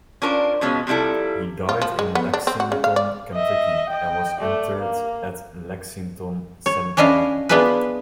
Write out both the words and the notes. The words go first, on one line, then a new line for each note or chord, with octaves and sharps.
He died in Lexington, Kentucky and was interred at Lexington Cemetery.
C#4 D4 F4 A#4 C5
B2 F3 G#3 C#4
C3 F3 G3 E4 A4
F4
F3
G#3
B3
D4
C4
F#4
C#3
F5
D5
D#5 E5
D#5 G5
A3 D5
A#3
C#5
C#4 D4 E4 D#5 F5
B3 D4 E4 F4 G#4 B4